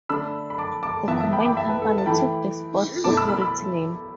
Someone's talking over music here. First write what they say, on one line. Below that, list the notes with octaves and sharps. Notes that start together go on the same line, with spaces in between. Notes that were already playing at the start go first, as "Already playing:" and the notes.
The combined company took the Sports Authority name.
D3 A3 D4 B5 E6
B5
A5 D6
A5 D6
E3 B3 E4 E5 A5
E5 A5
G5 B5
D6
G5 B5
E5 A5
B4
A4
A5
E3 A3 E4 G5 B5
B2 A3 E4 A5 D6
B5 E6
B5 E6
B5 E6